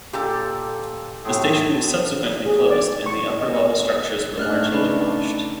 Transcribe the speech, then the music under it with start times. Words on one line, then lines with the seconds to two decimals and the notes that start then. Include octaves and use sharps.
The station was subsequently closed and the upper-level structures were largely demolished.
0.13 A#2 G4 A4
1.24 A2 A3 C4 G#4
2.46 G#4
2.70 D5
3.06 C#6
3.41 D#5
4.37 A2 A3 D4 D#4 D5 F6 F#6
4.72 C#3 B4 D5 B5